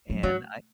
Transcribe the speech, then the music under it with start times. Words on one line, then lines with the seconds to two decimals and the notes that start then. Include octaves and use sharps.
And I
0.10 F#3
0.23 F#3 G3